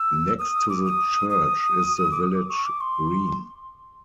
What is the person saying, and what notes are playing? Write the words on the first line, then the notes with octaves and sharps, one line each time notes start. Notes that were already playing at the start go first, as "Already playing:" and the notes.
Next to the church is the village green.
Already playing: E6
D#6
D6
D#6
D#6
D6
D#6
D6
C#6
D6
C6